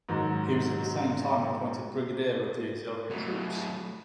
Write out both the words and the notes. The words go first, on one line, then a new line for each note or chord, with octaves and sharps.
He was at the same time appointed Brigadier of the auxiliary troops.
G#2 D#3 F#3
F#3 A3